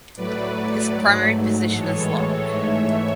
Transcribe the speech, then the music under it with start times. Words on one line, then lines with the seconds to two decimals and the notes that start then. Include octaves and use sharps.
His primary position is lock.
0.16 A2 F#3 A3 B4 D5
0.94 G#2 F#3 A3
1.72 A2 E3 G#3 A4 C#5
2.50 G#2 E3 A3 C#5 E5